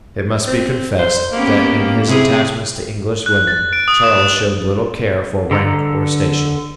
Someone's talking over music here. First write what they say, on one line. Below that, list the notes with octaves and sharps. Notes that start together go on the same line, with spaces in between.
It must be confessed that in his attachments to English women Charles showed little care for rank or station.
C4
C5
A#3 B3 C#4 G4
C3 E4 G#4
F#6
A6
D7
D#6
E7
D3 A4 A#5